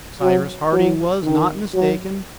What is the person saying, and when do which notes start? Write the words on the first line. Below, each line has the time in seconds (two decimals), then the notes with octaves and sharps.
Cyrus Harding was not mistaken.
0.22 F#3
0.73 F#3
1.24 D#3
1.74 F#3